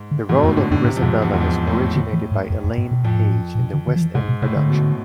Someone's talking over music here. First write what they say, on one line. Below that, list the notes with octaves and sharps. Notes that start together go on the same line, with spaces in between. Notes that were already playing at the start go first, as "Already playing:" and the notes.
The role of Grizabella was originated by Elaine Paige in the West End production.
Already playing: G#2
D3
G#2 E3
B2
F2 A2
G#2 D3
F2 D3
A2 C3
F2
G#2 B2
E2
G#2
F2
A2
D3
E3
G#2
F2
F2
G#2
B2
F2 A2
G#2
A2
A2
B2
D3
D3
F3
E3
G#2 C3
B2
A2 C3
D3
B2